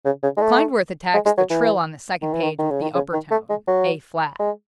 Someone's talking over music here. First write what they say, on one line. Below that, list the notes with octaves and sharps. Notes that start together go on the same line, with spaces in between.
Klindworth attacks the trill on the second page with the upper tone--A flat.
C#3
C#3
G#3
A3
G#3
G#3
F#3
E3
D#3
E3
D#3
D#3
C#3
D#3
C#3
D#3
A3
G#3
F#3
G#3